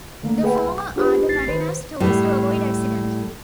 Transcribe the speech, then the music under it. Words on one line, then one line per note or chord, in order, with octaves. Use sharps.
The former are the mariner's tools to avoid accident.
D3 A3 A#3
G#4 B4 E5 F#5 G5
B1
D4 F4 G4 G#4 B4 C5
A1 D#4 A6 C7
D#3 B4 C5
A2 G3